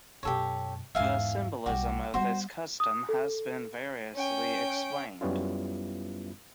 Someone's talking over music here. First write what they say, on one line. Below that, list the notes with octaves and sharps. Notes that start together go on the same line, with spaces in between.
The symbolism of this custom has been variously explained.
F#2 B2 G4 A4 C#5
E2 G#2 E5 F5 G#5
B1 G3 F#4 G4
G3 B3 F#4 C5
D#6
A4
C#4 G5
F#2 G3 B3 C#4 E4 F4